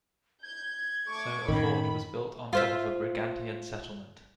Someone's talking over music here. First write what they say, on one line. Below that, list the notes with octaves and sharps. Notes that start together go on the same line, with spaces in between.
So a fort was built on top of a Brigantian settlement.
G6 G#6
A3 C#6 D6
F#2 A2 D#3 C#4 B5
F4 C5 E5